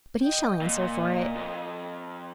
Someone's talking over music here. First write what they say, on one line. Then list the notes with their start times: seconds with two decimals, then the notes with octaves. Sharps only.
'But he shall answer for it.
0.21 D#5 G5
0.61 A#2 D#5
1.35 F2